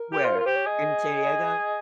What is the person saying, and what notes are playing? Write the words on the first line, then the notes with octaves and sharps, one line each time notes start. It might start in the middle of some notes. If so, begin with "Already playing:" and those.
Where? In San Diego?
Already playing: A#4
G4
F4 C5
F4 A#4
G4 C5
C#5
G#4 D#5
D#5